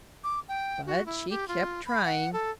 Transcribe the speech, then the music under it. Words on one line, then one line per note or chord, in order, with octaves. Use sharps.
But she kept trying.
D6
G5
F#4
E4
G4
F4
B5
F#5
A4